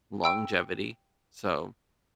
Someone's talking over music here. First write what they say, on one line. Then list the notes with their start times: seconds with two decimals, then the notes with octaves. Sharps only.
longevity. So,
0.24 G5 E6 D7